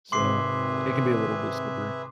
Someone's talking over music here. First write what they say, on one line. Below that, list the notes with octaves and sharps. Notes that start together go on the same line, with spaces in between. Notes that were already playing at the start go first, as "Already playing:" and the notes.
So, it can be a little bit slippery.
G#1 C3 G#4 B4 E5 C6 D6 C7